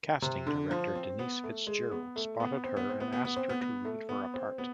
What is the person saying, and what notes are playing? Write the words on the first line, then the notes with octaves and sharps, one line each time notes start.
Casting director Denise Fitzgerald spotted her and asked her to read for a part.
C3
D3
F3
C4
B3
A3
G#3
B3
A3
B3
C4
B3
C4
B3
B3
B3
C4
B3
B3
A3
B3
C4
B3